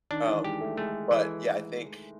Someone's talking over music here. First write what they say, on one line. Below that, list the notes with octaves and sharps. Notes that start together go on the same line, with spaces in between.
um, but, yeah, I think,
D#3 D4
E3
G#3 G4
A3
G#3 A3
E3